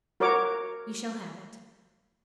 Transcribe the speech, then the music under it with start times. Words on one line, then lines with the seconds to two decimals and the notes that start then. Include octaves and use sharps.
"You shall have it."
0.20 F#4 A#4 C#5 A#5 D6